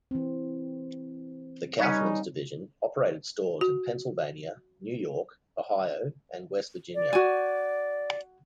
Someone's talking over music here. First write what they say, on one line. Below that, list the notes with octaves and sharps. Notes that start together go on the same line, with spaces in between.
The Kaufmann's division operated stores in Pennsylvania, New York, Ohio and West Virginia.
E3 C4
G3 C#4 D#4 B4 C#5
F#4
D5
F#4 G#5